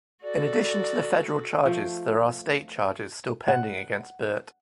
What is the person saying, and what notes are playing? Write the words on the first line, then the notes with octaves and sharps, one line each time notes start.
In addition to the federal charges, there are state charges still pending against Burt.
F#4 A4 D5
F3 A3
F#5